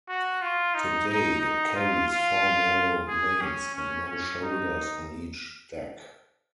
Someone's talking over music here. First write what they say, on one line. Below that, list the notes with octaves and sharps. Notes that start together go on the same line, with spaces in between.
Today, it carries four narrow lanes and no shoulders on each deck.
F#4
F4
D#4
D#4
D#4
F4
F4
G#4
C#4
C#4
C#4
D#4